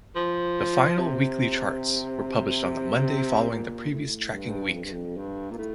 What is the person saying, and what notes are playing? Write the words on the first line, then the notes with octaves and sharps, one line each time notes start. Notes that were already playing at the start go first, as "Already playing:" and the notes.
The final weekly charts were published on the Monday following the previous tracking week.
F3
C3
A#2
A2
G2
F2
G2
F2
G2
A#2
A2